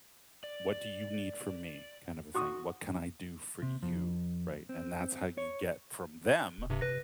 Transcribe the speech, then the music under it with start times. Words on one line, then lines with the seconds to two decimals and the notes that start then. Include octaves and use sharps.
what do you need from me kind of a thing, "What can I do for you?" right, and that's how you get from them
0.44 D5
2.34 F#4 C#6 D#6
3.62 C3
3.83 F2
4.69 C4
5.38 C#5
6.58 D#1
6.70 G2 C3
6.81 C3 B4 A#6